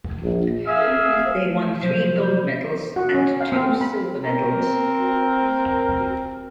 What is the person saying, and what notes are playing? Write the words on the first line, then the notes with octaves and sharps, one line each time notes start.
They won three gold medals and two Silver medals.
A#1
G#4 E5 F5
A3
C3 F3 F#3 C5
F#4
C#4
F5
C4
B5
C4 A#4